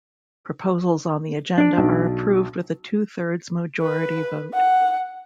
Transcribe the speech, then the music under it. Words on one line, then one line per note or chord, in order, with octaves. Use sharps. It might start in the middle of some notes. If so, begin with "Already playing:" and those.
Proposals on the agenda are approved with a two-thirds majority vote.
D4 D5
B1
B4
F#5